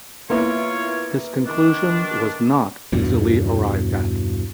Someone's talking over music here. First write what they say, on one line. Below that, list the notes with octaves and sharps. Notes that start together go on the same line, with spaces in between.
This conclusion was not easily arrived at.
A#3 B3 E4 F4 C#5
D#3 D4
E2 G2 B2